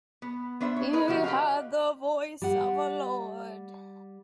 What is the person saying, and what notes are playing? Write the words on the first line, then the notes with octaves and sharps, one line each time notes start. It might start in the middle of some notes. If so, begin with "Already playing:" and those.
He had the voice of a lord.
B3
B3 D4 C5 E5
C#5
G#4 A#4 B4 D#5
D3 F3 F#4 G4
G4 B4 D#5 F5
G3 F#5